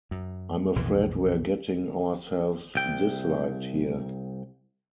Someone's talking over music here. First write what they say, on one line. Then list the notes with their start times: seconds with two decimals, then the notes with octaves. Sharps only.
I'm afraid we're getting ourselves disliked here.
0.11 F#2
0.76 B1 F2 A#2 E3
2.75 C2 G5